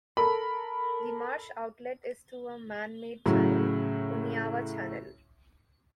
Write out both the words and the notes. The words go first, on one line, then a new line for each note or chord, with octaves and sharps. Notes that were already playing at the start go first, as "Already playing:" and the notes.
The marsh outlet is through a man-made channel, Oneawa Channel.
A4 A#4 B5
A2 C#3 F#3